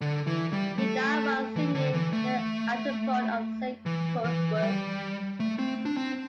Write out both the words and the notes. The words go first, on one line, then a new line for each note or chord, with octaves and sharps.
He died while singing the antiphon of Saint Cuthbert.
D3
E3
G3
A3
E3
D3
E3
A3
E3
E3
E3
G3
A3
C4
D4
C4